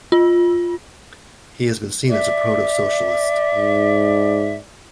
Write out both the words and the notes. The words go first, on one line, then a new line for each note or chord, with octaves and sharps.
He has been seen as a proto-socialist.
F4
D5 E5
G#2